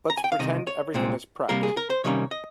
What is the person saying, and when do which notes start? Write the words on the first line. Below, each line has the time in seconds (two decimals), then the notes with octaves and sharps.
Let's pretend everything is prepped.
0.10 A#5
0.17 G#5
0.24 G5
0.32 F5
0.39 C2 C3 D#3 D#5
0.67 C#5
0.94 C2 A#2 G#3 C4
1.49 C3 G3 A#3 A#4
1.63 G#4
1.77 A#4
1.90 C5
2.04 C3 D#3 G3 A#3 C#4 C#5
2.31 D#5